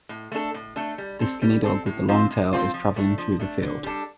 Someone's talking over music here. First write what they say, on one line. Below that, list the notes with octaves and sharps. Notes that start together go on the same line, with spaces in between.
The skinny dog with the long tail is traveling through the field.
A2
A3 D4 A4
A2
A3 D4 A4
G3
C4 A4
G3
C4 A4
A2
F3 C4 F4
A2
F3 C4 F4
F3
A3 D4
F3
A3 D4
D3
G3 D4 A4